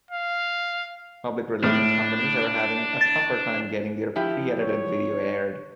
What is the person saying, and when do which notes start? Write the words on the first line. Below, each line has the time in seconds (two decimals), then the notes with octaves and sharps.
Public relations companies are having a tougher time getting their pre-edited video aired.
0.11 F5
1.64 A2 D4 F6
3.01 A6
4.16 F3 E4 G4
4.59 C#5